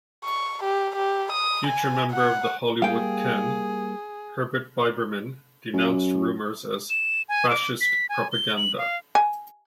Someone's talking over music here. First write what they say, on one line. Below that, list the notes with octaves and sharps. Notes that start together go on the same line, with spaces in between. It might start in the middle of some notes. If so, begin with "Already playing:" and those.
Future member of the Hollywood Ten Herbert Biberman denounced rumors as "Fascist propaganda".
C#6
G4
G4
D#6
G#5
F#5
G3 A#3 G#4 F5 G5
F#2
E7
G#5
D6
B6
G#5
G7
F#7
F5
G#5